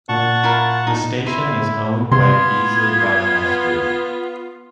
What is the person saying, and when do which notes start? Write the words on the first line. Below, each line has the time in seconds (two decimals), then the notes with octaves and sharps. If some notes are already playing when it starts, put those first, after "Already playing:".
The station is owned by Beasley Broadcast Group.
0.09 A#2 F#5 A5 C#6
0.43 E4 F4 A#4
0.87 D#4
1.26 E4 C6 D#7
2.12 C3 B3 F4 C6 G#6